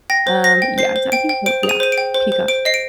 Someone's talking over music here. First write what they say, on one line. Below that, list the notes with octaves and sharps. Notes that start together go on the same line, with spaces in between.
um, yeah, I think so, yeah, Peacock,
G5 A#6
C5
C5 A#6
G5
C5 C7
C5
G5 D7
G5
C5 D7
G#4
D#7
C5 D#7
D7
G5
C5
C5
C5 D7
D#5 C7
D7